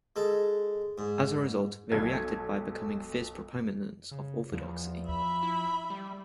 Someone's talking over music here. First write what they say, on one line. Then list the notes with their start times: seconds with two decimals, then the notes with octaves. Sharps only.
As a result, they reacted by becoming fierce proponents of Orthodoxy.
0.16 G#3 A4
0.98 G#2
1.92 B1 A4 G#6
4.11 C#3
4.52 E2 F3
5.06 E5 B5
5.43 E4
5.90 G3